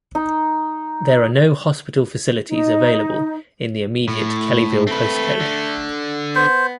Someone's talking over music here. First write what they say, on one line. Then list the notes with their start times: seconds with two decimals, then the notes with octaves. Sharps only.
There are no hospital facilities available in the immediate Kellyville postcode.
0.15 D#4
2.48 D#4
4.08 A2
4.87 A3 C4 B4
5.40 D3
6.35 B3 C5